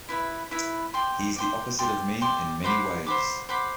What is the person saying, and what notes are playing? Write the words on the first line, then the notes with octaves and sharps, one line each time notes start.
He's the opposite of me in many ways.
E4 B4 E5
E4 B4 E5
D5 G5 C6
D5 G5 C6
D5 G5 C6
D5 G5 C6
C5 F#5 B5 D6
C5 F#5 B5 D6
C5 F#5 B5 D6